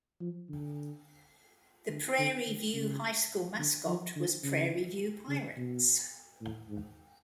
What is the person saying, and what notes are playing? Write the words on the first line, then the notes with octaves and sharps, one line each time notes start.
The Prairie View High School mascot was Prairie View Pirates.
F3
D3
D3
D3
D3
C#3
D3
F3
D3
C#3
C#3
B2
A2
G#2